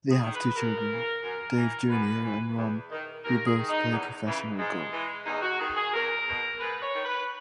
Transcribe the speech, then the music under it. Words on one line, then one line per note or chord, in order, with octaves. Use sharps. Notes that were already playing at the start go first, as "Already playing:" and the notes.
They have two children, Dave Junior and Ron, who both play professional golf.
G#4
D#3
B4
F#2 A#4
C#3 E3
F#2 A#4
E3
F#2 B4
E3
E2
D#3
D#2 A#4
G#4
D#3
D#4
E2
C#3 E3
G#2 G#3
E3
E2 D#4
F#4
D#3 G#4
G#4
E2 A#4
B2
G#2 B4
C#5
D#3
B4